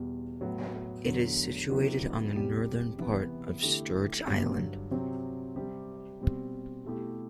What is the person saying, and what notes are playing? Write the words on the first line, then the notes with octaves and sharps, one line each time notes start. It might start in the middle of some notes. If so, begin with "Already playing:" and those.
It is situated on the northern part of Sturge Island.
Already playing: E2 B2 G3
A2 F#3 B3 F#4
E2 D3 F#3
D3 F#3 B3 E4 G4
E2 B2 G3 C4 G4
C3 E3 B3
D3 A3 E4 G4
G2 D3 F#3
C3 F#3 C4
C3 G3 C4 G4
B2 G3 C4
B2 A3 E4 G4